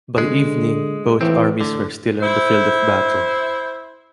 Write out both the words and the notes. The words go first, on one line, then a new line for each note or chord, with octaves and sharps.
By evening, both armies were still on the field of battle.
D3 G#3
D#2 A2 E3 C4
A2 D3
E4 C5